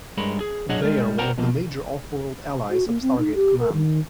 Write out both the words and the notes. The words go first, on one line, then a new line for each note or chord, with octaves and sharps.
They are one of the major offworld allies of Stargate Command.
G2 G#3 A#4 C#5 B5
G#4
F#3 D4 G#4 C#5 D#5 F#5
G3 G#3 A#4
A#4 C5 D5 F#5 G5 A#5
B2 F3 A#3
F#4
A#3
C4
D#4
G4
A#4
D#3